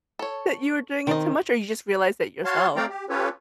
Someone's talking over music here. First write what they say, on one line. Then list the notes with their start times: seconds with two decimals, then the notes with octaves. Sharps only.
that you were doing it too much, or you just realized it yourself?
0.19 A4 C#5
1.07 D#3 C4 D#5
2.45 F#4 C#5 F5 A5 C6
2.76 A3 C4 D5 F5 G5 A#5
2.89 G4
3.09 C#4 F4 G4 A4 B4 C#5